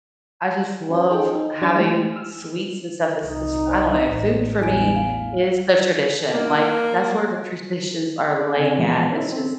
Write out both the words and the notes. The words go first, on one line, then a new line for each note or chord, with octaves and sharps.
I just love having sweets and stuff. It's just I don't know, food for me is the tradition, like, that's where the traditions are laying at, it's just,
C#4 F#4 C#5
D#4 G#4 A4 G5
D#4
F#3 D4 F#4 C#6 G#6 A6
E3 G#3 A3 E4 G4 G#4
E6 F6
C2 D#4
C5 D5 D#5
A1
A1 E2 E4 G#5 D7
F5
A#3
D5
C#3 C4 G#5
A#2 E3 F3 G#3 B3
C#4 D#4 E4
C4